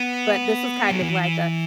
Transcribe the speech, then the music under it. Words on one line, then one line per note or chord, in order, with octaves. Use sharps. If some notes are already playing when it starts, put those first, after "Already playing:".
but this was kind of like a,
Already playing: B3
F#3
E3